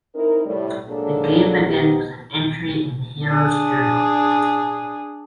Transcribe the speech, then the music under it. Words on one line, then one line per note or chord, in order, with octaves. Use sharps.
The game begins with an entry in the hero's journal.
C4 D#4 E4 A#4
A2 C3 G3
F#3 G#3 A#3 D4 G#4 A4
B3 C4 D#4 G4
D4 G#4